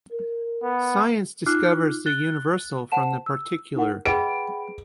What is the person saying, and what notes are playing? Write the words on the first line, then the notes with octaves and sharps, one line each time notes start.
Science discovers the universal from the particular.
A#4
B3
D#4 F4 D6 F6 F#6 C7
F#6 A6 G7
C5 F#5 A5 E7
E6
D#4 E4 A#4 F#5
G#4 B4 D#5 F#5 G5 B5 D7